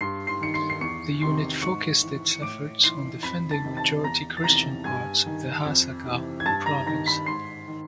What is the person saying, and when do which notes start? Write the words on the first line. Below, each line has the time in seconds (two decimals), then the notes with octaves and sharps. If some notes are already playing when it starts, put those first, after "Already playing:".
The unit focused its efforts on defending majority Christian parts of the Hasakah province.
0.01 G2 C6 C7
0.27 C6 C7
0.41 D#3 C#7
0.54 C6 C7
0.70 C7
0.81 E2 C#6 C#7
1.21 C3 D#3 C6 C7
1.61 G#2 C#6 C#7
2.03 E3
2.31 C#7
2.42 A2 D6 D7
2.84 E3 C6 C7
3.23 F2 B5 B6
3.51 A5 A6
3.64 C3 D#3
3.77 A5 A6
4.04 E2 A#5 A#6
4.37 A6
4.44 C3 E3 A#5 A#6
4.84 G2 G#5 G#6
5.26 D#3
5.66 F2
6.06 C3
6.11 E3
6.40 G#6
6.46 G2 A5 A6
6.66 A#5 A#6
6.86 D#3 A#5 A#6
7.06 B5 B6
7.26 G#2 C6 C7
7.67 D#3